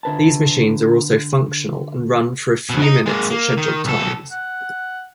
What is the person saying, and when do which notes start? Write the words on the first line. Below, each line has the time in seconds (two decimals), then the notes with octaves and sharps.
These machines are also functional and run for a few minutes at scheduled times.
0.03 D3 B4 A5
2.70 F2 B2
2.82 D#5 A#5
3.06 G#3 A#3
3.30 A#3
3.57 D#3
3.85 B1 A4
4.32 F#5